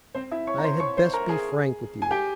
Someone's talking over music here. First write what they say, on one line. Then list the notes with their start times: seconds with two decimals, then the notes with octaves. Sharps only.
I had best be frank with you.
0.15 C4 C5
0.31 E4 E5
0.47 C#5 C#6
0.58 A#5
0.63 C5 C6
0.80 C#5 C#6
0.97 C5 C6
1.13 A#4 A#5
1.29 G#4 G#5
2.02 G#5
2.11 G4 G5